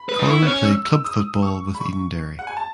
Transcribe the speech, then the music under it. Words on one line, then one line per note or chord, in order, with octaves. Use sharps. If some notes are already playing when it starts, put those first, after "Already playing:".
Cullen played club football with Edenderry.
Already playing: B5
B4
D#4 D#6
E4 C#6
B3
C#4
E6
E6
D#6
C#6
B5
C#6
F#5
G#5
A5